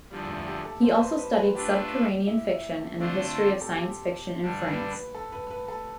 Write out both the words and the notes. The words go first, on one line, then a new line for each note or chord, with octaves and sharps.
He also studied subterranean fiction and the history of science fiction in France.
E2 D3 F3 G3
A3
G4
A4
C5
C5
B4
B4
B4
A3 D4 F4 G4 B4
E4
E4
A3
D3 A3 C4 D4 F4 C5
G4
A4
G4
G2 D3 G3 D4
B4
B4
A4
B4
B4
A4